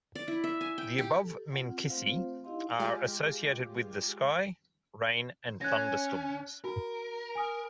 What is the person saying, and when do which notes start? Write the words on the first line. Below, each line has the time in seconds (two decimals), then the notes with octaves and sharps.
The above minkisi are associated with the sky, rain, and thunderstorms.
0.15 D5
0.28 E4
0.44 E5
0.61 G#5
0.78 G5
0.98 G4
1.22 G4 A4
1.52 C4 F4 F#5
1.88 A3 C4 F4 C5 F5
2.44 D#4 E4 G4 D#5 F5 C6
2.79 G#3 F4 G4
5.61 C#4 F#6 G#6 A#6
6.64 F#4 A#4
7.35 G#5 D#6 F6